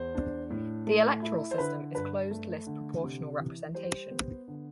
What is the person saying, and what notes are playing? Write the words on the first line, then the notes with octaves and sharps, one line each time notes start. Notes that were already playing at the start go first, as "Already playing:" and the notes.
The electoral system is closed list proportional representation.
Already playing: E2 C5
D4
A2
A3
E4
C5
D3 B4
G2 B4
A3
D3
C3
E3
G3 C5
B3
D3